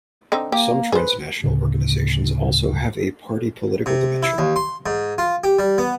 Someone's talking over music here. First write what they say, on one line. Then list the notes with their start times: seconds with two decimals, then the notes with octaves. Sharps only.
Some transnational organisations also have a party-political dimension.
0.32 D3 C4 D#4
0.52 A#3 G4
0.92 G#4 B4 C5
1.44 D2 A2 C#3
3.86 C3
4.23 E4
4.38 D#2
4.56 C6
4.86 G#2
5.18 F4
5.44 G4
5.59 G3
5.78 B3